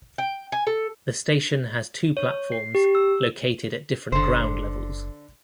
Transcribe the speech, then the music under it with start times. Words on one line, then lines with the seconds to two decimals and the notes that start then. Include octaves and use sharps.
The station has two platforms located at different ground levels.
0.18 G5
0.52 G#5
0.67 A4
2.17 C#5
2.52 C7
2.75 G4
2.95 E6
4.12 F#1 D3 C5